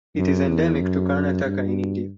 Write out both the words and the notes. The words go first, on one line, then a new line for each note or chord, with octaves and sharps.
It is endemic to Karnataka in India.
F#2
E2
F#2
G2